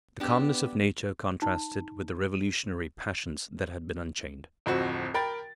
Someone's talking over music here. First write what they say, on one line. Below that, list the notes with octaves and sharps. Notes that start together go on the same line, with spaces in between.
The calmness of nature contrasted with the revolutionary passions that had been unchained.
B3 D4 G4
D#4
D1 F2 C4 F#4
A#4 G5 B5 A6